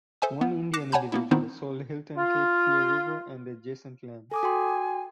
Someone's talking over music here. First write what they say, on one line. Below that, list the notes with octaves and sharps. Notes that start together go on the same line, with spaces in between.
One Indian individual sold Hilton Cape Fear river and adjacent lands.
A4 C5 E5 G#5 D#6
B3
D6 F#6 A#6 C7 C#7 E7
C#5 F#5 G#5 A5 B5 G6
A#3 B3 E4
D#3 B3 C4 D#4 E4 C5
F4
A4 G#5 D6 D#6
F#4 G5 C6